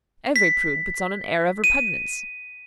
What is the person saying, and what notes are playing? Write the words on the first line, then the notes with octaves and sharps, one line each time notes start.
Every prude puts on an air of repugnance.
B6
D#7